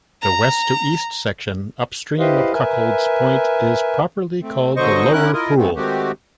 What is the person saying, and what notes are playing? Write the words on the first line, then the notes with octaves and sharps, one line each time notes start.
The west-to-east section upstream of Cuckold's Point is properly called the Lower Pool.
A#5
E4 G4 B4 C5 D#5 F5
A#4 B4 E5 G#5
A3 C4
B2 D3 F#3 C5 D#5 C#6
D3 C#4 E4 A#4 F#6
E4 F4 A#4 D#5
G2 G#3 A3 B3 C4
D#3 G#3 A3 C4 F#4 G4